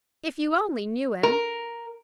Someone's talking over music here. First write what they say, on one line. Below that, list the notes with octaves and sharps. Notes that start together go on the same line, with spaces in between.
If you only knew him!
A#4